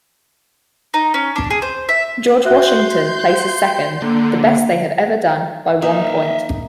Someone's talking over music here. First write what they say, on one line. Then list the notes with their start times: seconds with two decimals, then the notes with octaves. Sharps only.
George Washington places second, the best they have ever done, by one point.
0.94 D#4
1.14 C#4
1.36 D4
1.50 G#4
1.62 C5
1.89 E5
2.45 F#4 E5 C6 F#6 G6
4.02 D3 A#3
5.82 A#3 D#4 E5 F5